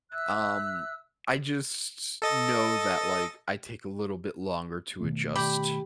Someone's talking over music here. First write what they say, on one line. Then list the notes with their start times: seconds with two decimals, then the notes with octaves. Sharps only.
um, I just know that, like, I take a little bit longer to adjust
0.12 E5 E6 F#6
2.22 A4 D#5 A6
5.01 B2 D#3 A3
5.36 G4 B5